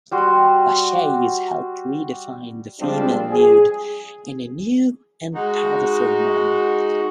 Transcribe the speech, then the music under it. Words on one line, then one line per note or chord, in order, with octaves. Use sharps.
Lachaise helped redefine the female nude in a new and powerful manner.
G3 F#4 C6
F3 G3 G#3 C4 D4 F4
G#4
G#3 D#4 F#4